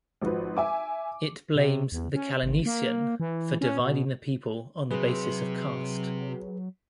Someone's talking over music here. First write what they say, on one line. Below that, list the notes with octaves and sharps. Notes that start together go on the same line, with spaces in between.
It blames the kalineesan for dividing the people on the basis of caste.
G#1 F3 F#4 B4
E5 G#5 D6
C3
E2
C#4
G#1
A#3
E3
C#4
B2
C3 F#3 G#4 B4